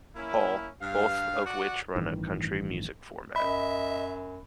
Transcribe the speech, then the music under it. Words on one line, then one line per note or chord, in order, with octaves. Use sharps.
Paul, both of which run a country music format.
A#3 C#4 E4
G2 F5
F#4 D5 F#5
A1 G2 D#3 E3
F#2 D#5 E5 B5